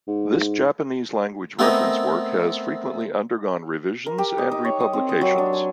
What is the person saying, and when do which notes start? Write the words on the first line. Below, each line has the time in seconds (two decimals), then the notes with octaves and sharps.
This Japanese language reference work has frequently undergone revisions and republications.
0.07 G#2
1.59 A3 B3 C4 A#4 D#5
4.06 A#4
4.18 G4
4.38 D#5
4.51 D#4
4.65 C#5
4.80 D#6
4.93 C4
5.09 D#5
5.21 F#3
5.38 D4
5.53 G#5